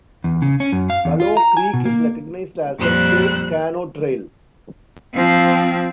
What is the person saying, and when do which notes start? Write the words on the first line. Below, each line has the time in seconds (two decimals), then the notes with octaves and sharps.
Bulow Creek is recognized as a State Canoe Trail.
0.24 E2
0.42 C#3
0.60 C#4
0.72 F#2
0.90 F5
1.05 E2
1.20 F4
1.37 A#5
1.57 G#5
1.74 B2
1.85 A#3
2.78 F2 A#2 G3 C5 F#6
5.14 F3 C4